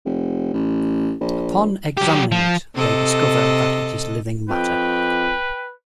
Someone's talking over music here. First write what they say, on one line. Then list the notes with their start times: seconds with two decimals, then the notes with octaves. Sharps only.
Upon examining it, they discover that it is living matter.
0.05 F1
0.53 A1
1.21 A#1
1.97 F#3 G4
2.32 F3
2.74 C3 A4 D#5
4.49 F2 B4 G5